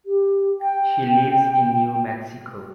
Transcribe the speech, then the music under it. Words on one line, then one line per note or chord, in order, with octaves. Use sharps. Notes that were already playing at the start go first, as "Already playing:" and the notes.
She lives in New Mexico.
G4
G5